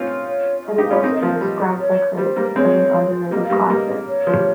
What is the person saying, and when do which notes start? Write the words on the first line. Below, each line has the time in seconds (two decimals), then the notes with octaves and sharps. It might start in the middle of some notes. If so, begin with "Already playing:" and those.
It has also been described by critics as an "underrated classic".
Already playing: C4 C#4 D#4 F4
0.28 C#5
0.65 D#5
0.78 D#4 G4
0.85 F5
0.91 C#4 F4
1.03 C4 D#4 D#5
1.22 F3 F5
1.41 G3 D#5
1.80 C#5
2.17 G3 C5
2.36 G3 A#3
2.56 G#3 C4 C#5
3.31 G3 A#3 D#5
3.45 F5
3.50 G3 A#3
3.57 D#5
3.69 G3 A#3 D#5
4.08 C#5
4.27 F3
4.36 G3